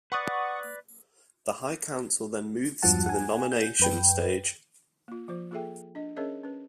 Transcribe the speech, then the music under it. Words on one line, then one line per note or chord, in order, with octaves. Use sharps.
The High Council then moves to the nomination stage.
B4 D5 F#5 C#6 D#6
E2 G2 F3 F#3 F#5 A5
F#5 G#5
G6
F#2 B4 G5
A#3 F4
F3 F4 C5
A#3 F4 G#4 A4 E5 G5
D4 D#5
C#4 G#4 A#4 C#5 D#5 E5
C#4 B4